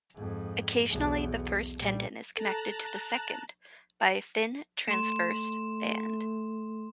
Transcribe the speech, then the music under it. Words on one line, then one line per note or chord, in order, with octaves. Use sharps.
Occasionally the first tendon is connected to the second by a thin transverse band.
F2 G#2
B1 E2
A#2 G3
A4 A5 A#5 F#6
A3 C6 E7